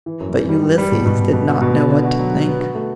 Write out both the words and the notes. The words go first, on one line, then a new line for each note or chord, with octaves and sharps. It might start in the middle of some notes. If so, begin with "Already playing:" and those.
But Ulysses did not know what to think.
E3
F#2
E3
G3
G3
G3
B2
B2
B2
B2
F#4
B2
B3
D3
F#4
F#3
D3
B3
F#4
A3